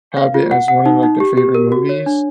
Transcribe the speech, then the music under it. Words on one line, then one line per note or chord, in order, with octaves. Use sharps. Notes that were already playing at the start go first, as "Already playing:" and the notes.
have it as one of, like, their favorite movies,
F5
F4
F#5
F#5
D#4
D#4
G4
G4
A#4
F#4
C#5
D4